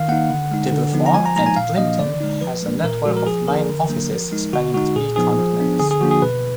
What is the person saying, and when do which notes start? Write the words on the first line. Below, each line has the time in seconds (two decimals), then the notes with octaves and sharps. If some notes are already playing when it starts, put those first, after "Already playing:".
Debevoise and Plimpton has a network of nine offices spanning three continents.
Already playing: D#3 F5
0.08 A#3 D#4 F#5
0.30 D3
0.51 G#3 D#4
0.73 D3
0.93 F3 B3 D#4
1.06 A#5
1.14 F3 G#5
1.26 A#5
1.36 G#3 D#4 A#5
1.46 G#5
1.56 A#2 F5
1.78 F3 A#3 D4 D#5
1.99 D3 D5
2.20 G#3 D#4
2.41 F3 B4
2.63 G#3 D4
2.84 A#2 A#4
3.05 F3 G#3 F#4
3.17 A#4
3.27 F3 G#4
3.48 A#3 D4 A#4
3.69 D3
3.90 F#3 A#3 D4
4.11 F3
4.32 G#3 D#4
4.53 D3 F#4
4.74 G#3 D#4 F#4
4.96 A#2 G#4
5.16 F3 B3 D#4 G#4
5.38 F3
5.59 B3 D4
5.79 D3 G#4
5.91 G#4
6.01 F3 A#3 D4 F#4
6.11 G#4
6.22 B2 B4